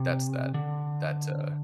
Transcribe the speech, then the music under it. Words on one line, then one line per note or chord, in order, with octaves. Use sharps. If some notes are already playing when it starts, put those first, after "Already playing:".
that's that that's uh
Already playing: C3
D3